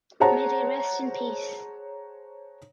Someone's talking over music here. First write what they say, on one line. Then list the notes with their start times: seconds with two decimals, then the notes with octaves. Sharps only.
May they rest in peace.
0.20 G#4 C5 C#5 F#5 A5 A#5